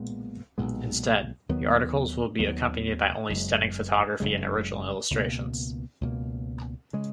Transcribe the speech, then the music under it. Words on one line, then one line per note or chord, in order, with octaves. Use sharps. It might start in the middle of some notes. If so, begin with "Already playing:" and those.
Instead, the articles will be accompanied only by stunning photography and original illustrations.
Already playing: B1 A#2 G#3 B3
B1 A#2 G#3 B3
D#2 D#3 F#3 B3
D#2 D#3 F#3 B3
F#1 F#2 C#3 G#3
F#1 F#2 C#3 G#3
C#2 B2 A#3
C#2 B2 A#3
C#3 G#3